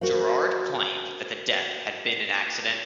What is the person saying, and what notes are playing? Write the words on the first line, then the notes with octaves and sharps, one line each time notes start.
Girard claimed that the death had been an accident.
F#4 A#4 C5 F5